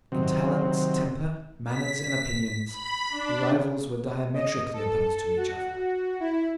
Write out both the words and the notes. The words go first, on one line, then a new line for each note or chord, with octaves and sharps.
In talents, temper, manners and opinions, the rivals were diametrically opposed to each other.
C3 D#3 F#3 C4
B6
B5
D4
D#5
A4
F#4
E4